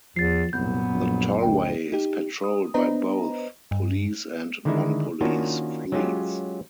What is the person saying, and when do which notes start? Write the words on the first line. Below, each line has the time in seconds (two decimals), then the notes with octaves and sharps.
The Tollway is patrolled by both police and non-police fleets.
0.16 E2 F3 A6 C7
0.53 C2 F#2 A#2 B3 G6
0.93 A#1
1.42 D2 G5
1.92 D#4 G4
2.44 D#6
2.74 B3 D4 B4 C5 D#5 A#5
3.71 G2
4.65 D3 D#3 G#3 D#4 E4
5.21 D#3 A#3 C#4 D4 F4 F#4
5.92 F#3 G#3 C#4 F4 G4